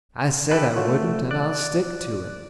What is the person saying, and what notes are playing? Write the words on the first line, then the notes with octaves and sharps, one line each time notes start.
I said I wouldn't, and I'll stick to it.
G4 A4 B4
A3 F4 F#4 C#5
D5 F#6